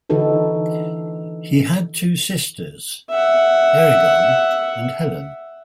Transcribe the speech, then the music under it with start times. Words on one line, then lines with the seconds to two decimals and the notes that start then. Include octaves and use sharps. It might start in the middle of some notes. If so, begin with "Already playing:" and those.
He had two sisters: Erigone and Helen.
0.09 D3 E3 D#4 F#4 A4 B4
3.10 E5 F#5